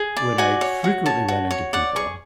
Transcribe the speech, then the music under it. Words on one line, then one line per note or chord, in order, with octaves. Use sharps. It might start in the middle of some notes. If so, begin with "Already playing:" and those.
when I frequently run into people
Already playing: G#4
D5
F#4 G#5
C#5
F#4
C#5 A5
F#4
C#5
D5 F#5
G#4 C#6